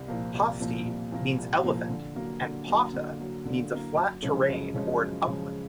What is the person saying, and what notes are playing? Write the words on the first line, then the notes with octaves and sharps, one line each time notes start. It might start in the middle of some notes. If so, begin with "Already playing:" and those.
'Hasti' means elephant and 'Potta' means a flat terrain or an upland.
Already playing: C2
A#2 F3 A#3
C2
A#2 F3 A#3
C2
A#2 F3 A#3
C2
A#2 F3 A#3
D3
F#3 A#3
D3
F#3 A#3
D3
F#3 A#3
D3
F#3 A#3
F#2
C#3 F3 G#3 C#4
F#2
C#3 F3 G#3 C#4
F#2
C#3 F3 G#3 C#4